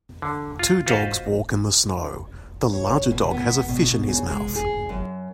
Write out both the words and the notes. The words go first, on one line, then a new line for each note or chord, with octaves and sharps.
Two dogs walk in the snow, the larger dog has a fish in his mouth.
D3
F4
F4 F#4 B4 C5 D#5 F5
C#5
B2
B3
B2
C#3
G#3
G#4
F#2